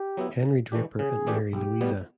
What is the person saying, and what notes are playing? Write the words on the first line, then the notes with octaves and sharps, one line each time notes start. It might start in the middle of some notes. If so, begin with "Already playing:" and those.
Henry Draper and Mary Louisa.
Already playing: G4
F#3 B3 E4
C#3
E3 A3 D4 G4
C#3 G#4
E3 A3 D4 G4
B1 G4
B2 G3 B3